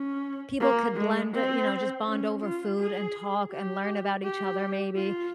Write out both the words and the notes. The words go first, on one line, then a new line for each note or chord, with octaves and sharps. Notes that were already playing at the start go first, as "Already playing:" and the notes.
people could blend you know, just bond over food and talk and learn about each other maybe
Already playing: C#4
A#3
G#3
C4
C#4
F4
G#4
G4
G4
F4